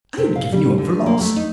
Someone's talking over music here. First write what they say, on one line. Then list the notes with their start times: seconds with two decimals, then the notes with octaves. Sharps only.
I had given you up for lost.
0.18 C3
0.36 F5
0.52 G3
0.78 D3
1.06 A#3
1.21 A3
1.36 D#4